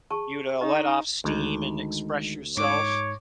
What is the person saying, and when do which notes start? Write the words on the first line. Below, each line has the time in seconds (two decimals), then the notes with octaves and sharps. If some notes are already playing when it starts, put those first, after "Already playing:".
you to let off steam and express yourself.
0.11 G#4 A5 C#6
0.61 D#4 D#5 C#6
1.24 D2 D#3 G#3 D#4
2.57 G#2 C#5 D6